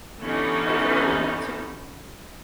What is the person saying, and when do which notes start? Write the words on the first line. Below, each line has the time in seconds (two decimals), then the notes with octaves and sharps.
What if I don't want to?
0.22 D3 E3 G3 B3 C#4 D#4